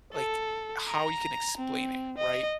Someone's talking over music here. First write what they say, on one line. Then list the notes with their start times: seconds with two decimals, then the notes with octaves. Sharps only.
like, how you can explain it, right?
0.14 A4
0.88 A#5
1.57 C4
2.18 D#5